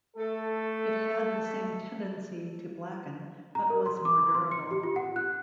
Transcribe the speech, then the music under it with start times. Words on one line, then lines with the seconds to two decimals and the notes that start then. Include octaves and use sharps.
It had the same tendency to blacken, but was more durable.
0.17 A3 A4
3.55 A#5
3.70 A#4
3.86 C6
4.05 D6
4.35 C6
4.51 C#7
4.71 G4
4.83 F4
4.96 F#5
5.16 F#6